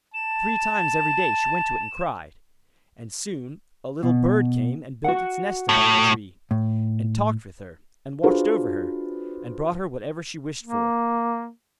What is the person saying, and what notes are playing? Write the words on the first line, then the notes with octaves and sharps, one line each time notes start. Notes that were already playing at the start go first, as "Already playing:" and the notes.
Three times every day she went to it and cried; and soon a little bird came and built its nest upon the tree, and talked with her, and watched over her, and brought her whatever she wished for.
A5 E7
B2
F#4 F#5
A2
A2
D4 F4 F#4 G#4 B4 C5
A#3